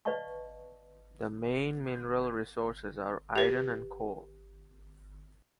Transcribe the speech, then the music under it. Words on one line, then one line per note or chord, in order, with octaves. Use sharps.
The main mineral resources are iron and coal.
B4 D5 D#5 F5 A5 C#6
G4 B4